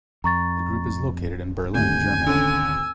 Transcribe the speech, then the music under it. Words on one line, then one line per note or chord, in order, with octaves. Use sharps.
The group is located in Berlin, Germany.
F2 A#5 C#6 A6
G#1 D2 G4 G#5 G6
D3 C#4 E6